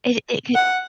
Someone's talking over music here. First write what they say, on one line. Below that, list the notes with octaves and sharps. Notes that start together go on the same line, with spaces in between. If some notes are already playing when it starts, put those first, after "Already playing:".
It it could
F#5